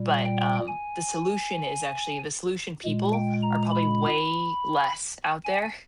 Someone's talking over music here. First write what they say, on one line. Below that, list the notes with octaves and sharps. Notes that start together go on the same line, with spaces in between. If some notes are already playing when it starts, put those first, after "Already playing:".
but, um, the solution is actually the solution people are probably way less out there
Already playing: A#2 G3
G5
G#5
A#2 G#3
G5
A#5
B5
G#5